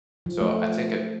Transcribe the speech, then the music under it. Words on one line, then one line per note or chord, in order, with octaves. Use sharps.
So I think a
F3
A3